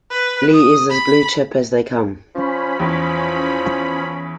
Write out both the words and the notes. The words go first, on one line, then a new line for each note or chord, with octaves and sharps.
Lee is as blue chip as they come.
B4
D#6
B5
F3 C#4 B5
E2 F3